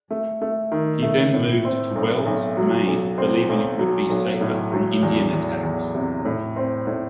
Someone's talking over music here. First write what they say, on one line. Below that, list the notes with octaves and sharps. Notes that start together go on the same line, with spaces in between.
He then moved to Wells, Maine, believing it would be safer from Indian attacks.
A3
A3
D#3
A3
A2
C4
B1
B1
F#3
B1
C4
B1
F#3
B1
A2
F#3
E2
E2
E2
C3
A2
C4
A2